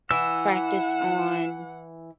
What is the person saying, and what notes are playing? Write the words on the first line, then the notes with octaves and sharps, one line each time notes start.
practice on
E3 F#5 E6